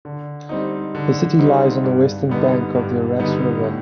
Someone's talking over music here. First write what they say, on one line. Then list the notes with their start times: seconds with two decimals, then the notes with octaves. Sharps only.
The city lies on the western bank of the Aras River.
0.05 D3
0.49 G3 C4 D#4
0.95 D3
1.39 G3 C4 D#4
1.84 G2
2.29 D3 G3 B3 D#4
2.75 G2
3.19 D3 G3 B3 D#4
3.64 A2